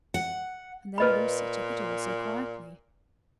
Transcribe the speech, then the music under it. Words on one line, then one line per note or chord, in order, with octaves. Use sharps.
And then Lucy took it all so quietly.
F#5
A#2 B4 D#5 B5